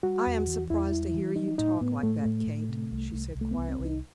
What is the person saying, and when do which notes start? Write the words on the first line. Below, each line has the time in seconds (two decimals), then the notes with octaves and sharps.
"I am surprised to hear you talk like that, Kate," she said, quietly.
0.03 G3 F#4
0.26 E2
0.47 E3
0.70 E2 E4
0.92 G3
1.14 E3
1.36 F#3 D#4
1.58 A2 D#4
1.81 A2 B3
2.03 A2 A3
2.25 A2
2.47 A2
2.69 C3
2.91 C2
3.13 C2
3.35 C2
3.41 A3
3.51 B3
3.57 C2
3.69 C4
3.79 C2
3.85 D#4